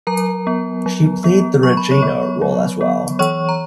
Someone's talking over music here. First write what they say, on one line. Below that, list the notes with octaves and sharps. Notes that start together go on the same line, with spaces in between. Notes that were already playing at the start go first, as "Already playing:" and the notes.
She played the Regina role as well.
F#3 A#4 A#5
B3
F#3
B3
F#3 C#6
B5
C#5 C#6
B3
F#3
B3
E3 C#5 C#6
A#5